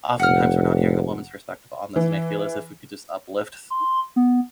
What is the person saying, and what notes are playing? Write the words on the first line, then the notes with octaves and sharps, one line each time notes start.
oftentimes we're not hearing the woman's perspective on this, and I feel as if we could just uplift, s
F1 F#5 F6
E3
C6
B3